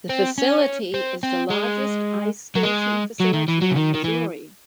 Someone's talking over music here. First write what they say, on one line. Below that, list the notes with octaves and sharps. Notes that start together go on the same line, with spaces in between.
The facility is the largest ice skating facility in Missouri.
C4
C#4
C4
C4
G#3
F#3
G#3
F#3
D#3
E3
F#3
C#3
D#3
D#3
E3